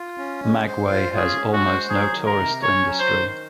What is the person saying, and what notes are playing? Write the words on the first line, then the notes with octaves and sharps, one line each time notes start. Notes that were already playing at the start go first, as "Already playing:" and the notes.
Magway has almost no tourist industry.
Already playing: F4
C#4
G#3
C5
F4
C#4 G#4
G#3
F#4
C5
F#3 G#4
D#3
A#4
C3
C#4 C#5
F#3
C5
D#3